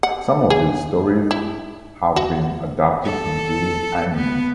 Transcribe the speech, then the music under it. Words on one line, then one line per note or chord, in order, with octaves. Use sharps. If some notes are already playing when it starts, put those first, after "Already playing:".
Some of his stories have been adapted into anime.
F#5
G#4
E4
F#4
A4
B3